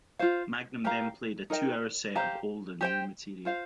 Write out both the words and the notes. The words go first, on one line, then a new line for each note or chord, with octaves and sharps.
Magnum then played a two-hour set of old and new material.
F4 C5 F5
G4 A#4 F5 A#5
D#4 A#4 D#5 G5
G4 C5 F5 A#5
G4 C5 G5
F4 C5 F5